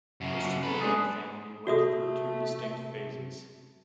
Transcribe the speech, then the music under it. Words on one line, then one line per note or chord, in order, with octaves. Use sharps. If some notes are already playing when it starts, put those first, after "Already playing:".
"The Superman Family" went through two distinct phases.
F#2 C#3
A4 B4
G#3 D4 G#4
C3 A3 F#4 G#4 A4 E5 D#6